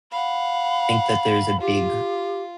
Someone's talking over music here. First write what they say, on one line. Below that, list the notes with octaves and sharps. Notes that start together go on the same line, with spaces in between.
Think that there's a big
F5 F#5 B5
F4 G4